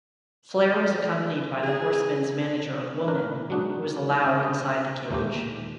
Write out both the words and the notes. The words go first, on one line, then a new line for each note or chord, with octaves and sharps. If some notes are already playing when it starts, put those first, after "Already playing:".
Flair was accompanied by the Horsemen's manager Woman who was allowed inside the cage.
G#4
C#4 D4 A#4 B4
F#3 G#3 D4 D#4 F#4
G4 D#5
D#2 A#2 G#3 A3 G4